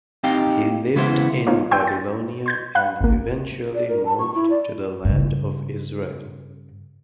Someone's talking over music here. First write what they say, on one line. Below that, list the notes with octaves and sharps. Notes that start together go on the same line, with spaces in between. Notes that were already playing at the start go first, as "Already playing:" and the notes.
He lived in Babylonia and eventually moved to the Land of Israel.
C4 D#4 G4 D#5 F5 G5
C#3 E3 G#3 B3 E4 C5
B3 D#4 F4 A4 C#5
F5 G5 G#5 C6 E6 G6
A6
C6 G6 G#6
F5 F#5 B5 F#6
G#1 C#2 A#3
D5
A#4
A5
C#6
E4
D5
G2 C#3